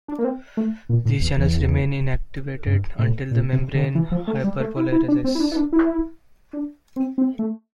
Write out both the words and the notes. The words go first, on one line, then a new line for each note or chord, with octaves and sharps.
These channels remain inactivated until the membrane hyperpolarizes.
D4
A#3
C4
A3
A#2
A2
E2
E2
G2
A2
A#2
C3
D3
E3
F3
A3
G3
A3
E4
E4
D4
C4
E4
D4
E4
D4
E4
D4
C4
C4
A3